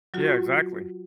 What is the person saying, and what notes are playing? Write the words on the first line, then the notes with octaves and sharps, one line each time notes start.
Yeah, exactly.
F#3 F4 F#4